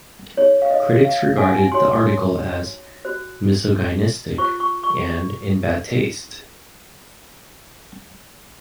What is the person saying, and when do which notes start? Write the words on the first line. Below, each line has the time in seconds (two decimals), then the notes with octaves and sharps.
Critics regarded the article as misogynistic and in bad taste.
0.37 D#4 G#4 C#5
0.62 F5
0.71 D#5
1.05 F5
1.38 G#5
1.45 F#5
1.54 G#5
1.72 D#4 F#4 C#5 C6
3.05 F#4 C5
4.38 F4 C5 C#6
4.60 C#6
4.83 C#6